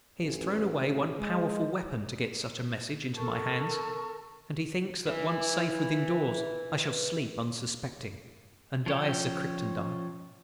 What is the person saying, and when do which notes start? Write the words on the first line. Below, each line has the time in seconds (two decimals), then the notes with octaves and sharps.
He has thrown away one powerful weapon--to get such a message into my hands--and he thinks that once safe within doors, I shall sleep, unsuspecting, and die as Sir Crichton died.
0.20 A1
0.81 A1
1.18 G#3
3.18 A4 A#4 A5 C#6
5.07 B4 E5
8.86 F3 C#4 C#5 G5